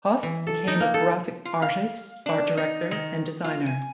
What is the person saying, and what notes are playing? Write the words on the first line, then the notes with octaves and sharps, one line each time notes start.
Hough became a graphic artist, art director and designer.
E3
A4
D#4
A#3
A4
F4
F5
D4
D#4
D#3
F4
G#5